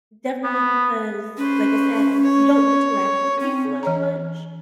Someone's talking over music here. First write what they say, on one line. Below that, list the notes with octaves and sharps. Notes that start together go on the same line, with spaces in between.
definitely because like I said, you you don't interact with people as much.
B3
C#4 B4 C5
C#5
C4 C#4
E3 C#5 A#5